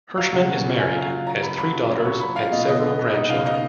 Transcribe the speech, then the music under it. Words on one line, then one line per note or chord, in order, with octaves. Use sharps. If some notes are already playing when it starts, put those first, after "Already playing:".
Hirshman is married, has three daughters and several grandchildren.
F#3 F5
C#3 F#5
C#4
F4
F4 G#5
F5
F#3
F5
C#3
C#4 A#5
F4 B5
F#3 B5
F4
C#4
F#3 C#6
C#4 B5
F4 F5
B2 D#5
B3 D#5
B3
B3
D#4
C#3 F5
D#4 D#5